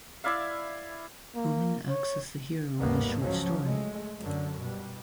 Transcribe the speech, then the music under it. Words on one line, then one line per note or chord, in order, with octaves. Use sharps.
Bumin acts as the hero in this short story.
E4 D5 E5 F5
A#3
C#5
G#1 D#2 A2 G3 A#3 B3
C#2 F3 F#3 C#4
G#3 A3
F#2 D3
B2 G3